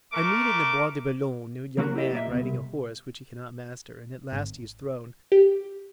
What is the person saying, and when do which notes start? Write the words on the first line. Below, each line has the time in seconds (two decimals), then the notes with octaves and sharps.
I meet in the Bois de Boulogne a young man riding a horse which he cannot master, and at last he is thrown.
0.13 A3 A#4 D6
1.78 A#3 C#4 F#4 A4 A#4
1.95 E4 G4 D#5
2.13 A#3 D5 E5
2.27 D2 B2
2.40 C2
4.32 G#1
5.32 G4